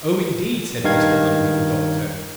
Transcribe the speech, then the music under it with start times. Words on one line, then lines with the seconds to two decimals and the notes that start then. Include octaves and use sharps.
'Oh, indeed!' said Mr Lumbey, the doctor.
0.84 G2 D#3 F5 G#6